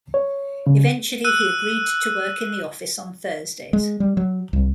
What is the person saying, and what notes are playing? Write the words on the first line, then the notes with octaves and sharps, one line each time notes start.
Eventually, he agreed to work in the office on Thursdays.
C#5
C#3
E6 F#6 D#7
G#3
G3
F#3
C2